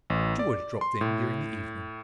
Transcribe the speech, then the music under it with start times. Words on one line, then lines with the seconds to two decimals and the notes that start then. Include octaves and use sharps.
George dropped in during the evening.
0.10 A1
0.39 D5
0.81 C6
1.01 A2